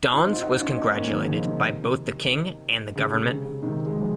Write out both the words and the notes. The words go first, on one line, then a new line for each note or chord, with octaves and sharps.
Dons was congratulated by both the King and the government.
F4
C4 D#4
F4
D#4 F#4
C#4 F4
C4 D#4
A#3 C#4
D#3 F#3
C#3 F3
C3 D#3
C#3
C3
C#3
C#3
C3 D#3
G#3
F#3
F3 G#3